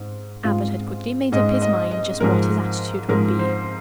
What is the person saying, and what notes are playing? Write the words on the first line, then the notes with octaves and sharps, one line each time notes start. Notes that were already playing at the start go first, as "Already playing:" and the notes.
Mr. Abbott had quickly made up his mind just what his attitude would be.
Already playing: G#2
G#2 G#3 F4
G#2 G#3 D#5
D#5
D#5
G#2 F3 G#3 A#4
G#2 F3 G#3 A#4
C5